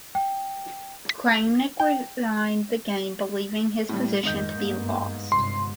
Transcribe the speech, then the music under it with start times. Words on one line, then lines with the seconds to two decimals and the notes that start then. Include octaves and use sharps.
Kramnik resigned the game, believing his position to be lost.
0.15 G5
1.80 G5
3.89 A2 G3
4.23 F2 G#2 D#3 D#5 G6
4.58 G2 A#3 B3
5.32 G1 C3 C6